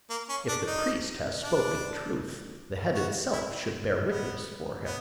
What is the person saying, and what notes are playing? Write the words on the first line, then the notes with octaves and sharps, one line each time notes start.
If the priest has spoken truth, the head itself should bear witness for him...
A#3
C#4
D4
D#4
D4
F#4
E4
B3
B3